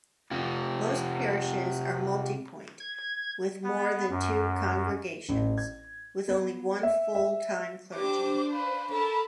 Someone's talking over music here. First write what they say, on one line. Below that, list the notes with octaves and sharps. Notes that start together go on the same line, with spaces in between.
Most parishes are multipoint -with more than two congregations- with only one full-time clergy.
C3 F4
G#6
B3
F#2
A1
G#6
B3
E5
E5
D4 G4 C5 D6
B4 F5
A4 A#4 A5 B5